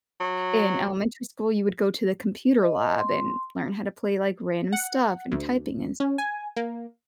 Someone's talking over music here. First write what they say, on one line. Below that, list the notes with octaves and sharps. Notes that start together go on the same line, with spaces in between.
In elementary school, you would go to the computer lab and learn how to play, like, random stuff and typing and s
F#3
D#5
C6
F#5
D2
C#4
G#5
A#3